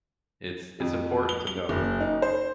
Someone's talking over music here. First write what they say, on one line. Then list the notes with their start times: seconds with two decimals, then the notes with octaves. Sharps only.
it's, it's important to know.
0.80 F2
1.29 G7
1.47 G7
1.69 F#1
2.00 D#4
2.22 C5